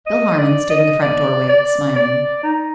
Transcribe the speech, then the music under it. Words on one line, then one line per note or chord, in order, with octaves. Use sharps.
Bill Harmon stood in the front doorway, smiling.
D#5
D5
D#5
D5
D5
D5
D#4